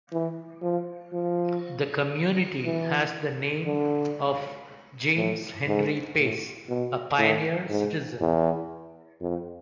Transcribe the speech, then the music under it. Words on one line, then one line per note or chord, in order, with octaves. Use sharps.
The community has the name of James Henry Pace, a pioneer citizen.
E3
F3
F3
E3
D3
A2
G#2
A2
B2
A2
G#2
E2
F2